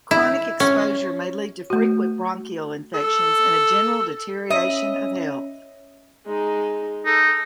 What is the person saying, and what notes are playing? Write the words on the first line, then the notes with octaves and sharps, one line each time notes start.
Chronic exposure may lead to frequent bronchial infections and a general deterioration of health.
E4
C#4
A3 F#4
A4
C#4 D#5 E5
G#3 D#4
D#4 A4